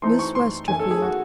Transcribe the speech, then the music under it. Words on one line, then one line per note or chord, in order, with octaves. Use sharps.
Miss Westerfield.
E3 A3 C4 D#4 C6
C#6
C6
D#3 A3 C#4 G#5
A4
G#4
F#4